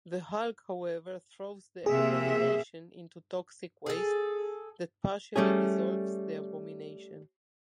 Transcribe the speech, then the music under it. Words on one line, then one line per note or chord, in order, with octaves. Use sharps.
The Hulk, however, throws the Abomination into toxic waste that partially dissolves the Abomination.
C3 A#3 G#4 E5
G#4 A4
G3 A3 C#4 G#4